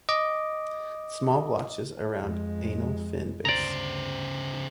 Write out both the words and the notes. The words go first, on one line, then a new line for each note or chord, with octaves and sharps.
Small blotches around anal fin base.
D#5 D6
F2 G#3
D2 G2 C#3 C5 D5 A#5